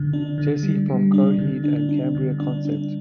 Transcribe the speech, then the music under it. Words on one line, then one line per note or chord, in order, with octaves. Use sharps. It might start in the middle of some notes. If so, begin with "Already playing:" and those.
"Jesse" from the Coheed and Cambria concept.
Already playing: D3
D4
D3
G3
G3
D4
D3
D4
D4
D3
D4
D4